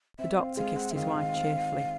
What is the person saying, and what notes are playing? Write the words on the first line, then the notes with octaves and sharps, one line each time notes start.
The doctor kissed his wife cheerfully.
C4 E5
C4 F5
G#3 F5
C4 F#5
E5
D#3 F5
D#3
C4